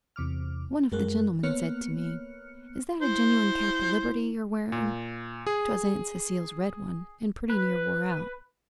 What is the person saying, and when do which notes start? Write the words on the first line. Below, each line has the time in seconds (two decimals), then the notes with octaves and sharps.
One of the gentlemen said to me, "Is that a genuine cap o' Liberty you're wearing?" 'Twas Aunt Cecile's red one, and pretty near wore out.
0.16 E2 C3 D6 F6
0.92 F#2 G#3 A#4 F#6
1.43 A#3 B3 C#5 F6 F#6 C#7
3.02 E4 C5
4.72 A#2
5.47 G#4
7.50 B4